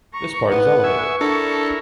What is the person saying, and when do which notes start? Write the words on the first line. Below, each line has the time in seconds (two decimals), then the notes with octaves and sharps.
This part is elevated.
0.14 A#5 C#6
0.51 B3 B4
0.84 E5 G#5 C#6
1.21 D4 E4 A4 A#4